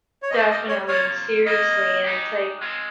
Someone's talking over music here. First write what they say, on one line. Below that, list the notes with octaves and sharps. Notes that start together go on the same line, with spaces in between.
Definitely, seriously, and it's, like,
C#5
A#2 G3 C4 G4 D#5
D#5
C#5
C3 F3 A#3 F4 C#5
C3 G3 A#3 D#5
G#3 D#4 G4
G#3 C4 F4